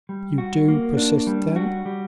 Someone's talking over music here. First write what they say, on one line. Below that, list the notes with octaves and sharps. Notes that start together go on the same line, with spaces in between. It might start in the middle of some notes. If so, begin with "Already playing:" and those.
"You do persist, then?"
G3
F#4
A#3
D4
G3
F#4
G3